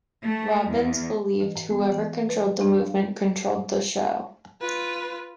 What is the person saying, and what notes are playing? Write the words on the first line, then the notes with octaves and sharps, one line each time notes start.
Robbins believed whoever controlled the movement controlled the show.
A3
E2
E3
G#2
B3
E3
B4
D4
F5
F4 B4